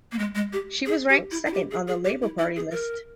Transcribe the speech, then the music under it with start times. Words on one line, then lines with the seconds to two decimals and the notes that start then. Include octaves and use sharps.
She was ranked second on the Labour Party list.
0.12 A#3
0.19 G#3
0.35 G#3
0.53 G4
0.86 G#4
1.09 G4
1.31 E4
1.46 E4
1.54 G4
1.71 G#4
1.88 G#4
2.05 G4
2.22 E4
2.39 E4
2.56 G#4
2.72 A#4